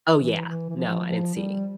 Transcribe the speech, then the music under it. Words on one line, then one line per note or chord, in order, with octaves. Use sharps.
Oh yeah, no, I didn't see
E3
E3
E3
F3
F3
G3